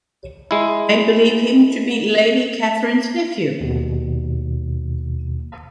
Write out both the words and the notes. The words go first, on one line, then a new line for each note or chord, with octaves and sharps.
I believe him to be Lady Catherine's nephew.
G#3 E4
D#2 B2